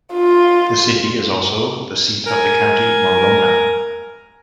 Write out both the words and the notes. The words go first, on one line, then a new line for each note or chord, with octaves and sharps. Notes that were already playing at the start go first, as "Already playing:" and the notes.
The city is also the seat of the county Morona.
F4
A#4 G#5